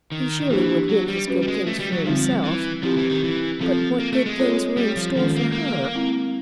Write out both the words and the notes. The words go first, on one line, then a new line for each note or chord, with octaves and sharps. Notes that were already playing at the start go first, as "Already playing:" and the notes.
He surely would win his good things for himself. But what good things were in store for her?
D#3
D#3
E3 A#3 D4 G4 C5
F#3
G3
C#4 F#4 B4
G3
G#3
A3
G3
F#3
D3 F3 G3 C4 D#4
E3
F3 C4 E4 G4
E3
D#3
E3
F3 C4 F4 A4
A#3
A3
G#3
C4 F4 A4 C#5
G3
F3
D#3 F3 G#3 C#4 F4 A4
A#3
A#3
G#3 C4 E4